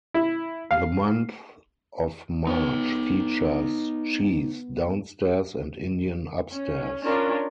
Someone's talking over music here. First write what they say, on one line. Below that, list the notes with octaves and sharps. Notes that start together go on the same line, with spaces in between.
The month of March features Cheese downstairs and Indian upstairs.
E4
F5
B3 D#4 C#5
C#4
C#4 D4 F4 A#4